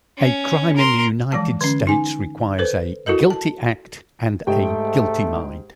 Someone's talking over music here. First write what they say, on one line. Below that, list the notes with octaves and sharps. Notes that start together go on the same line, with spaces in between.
A crime in the United States requires a "guilty act" and a "guilty mind".
C#4
A#4 C6
E3 F3 G#3 A5
D3 C#4
D#4 G#5
A4 B4 C5
E4 F#4 A4 A#4 D#5
A5
G#2 A3 G4 G5